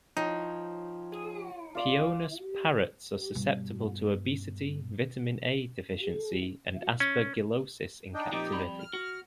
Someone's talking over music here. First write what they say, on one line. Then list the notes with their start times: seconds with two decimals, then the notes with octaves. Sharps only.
"Pionus" parrots are susceptible to obesity, vitamin A deficiency, and aspergillosis in captivity.
0.17 F3 D#4 C#5 G5
1.75 F4 D5 F5
3.35 G2 B2
7.00 C#4
8.14 D4 D#4 G5
8.32 F2 A#2 F3 D#4 G4 G5
8.51 F2 G3 B5
8.80 F6
8.93 F#4